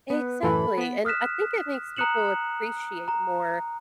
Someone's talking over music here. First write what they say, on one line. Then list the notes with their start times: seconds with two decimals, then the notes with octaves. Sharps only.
Exactly, and I think it makes people appreciate more,
0.10 B3 B4
0.43 F#2 A2 E3 A4 B5
0.78 B3 B6
1.05 D#6 F6 F#6 B6 E7
1.96 A#5 D#6 F#6 C#7 E7 F#7
3.08 A#5